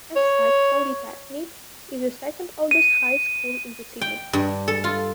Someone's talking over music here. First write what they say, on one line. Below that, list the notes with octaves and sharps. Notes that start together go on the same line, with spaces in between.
As such, Polytechnic is the second oldest high school in the city.
C#5
D#7
G5
G2
A4
F4